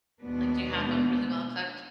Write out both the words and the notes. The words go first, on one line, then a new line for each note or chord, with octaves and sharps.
Like, do you have them really well cooked?
D#2 B2 G#3 B3 D4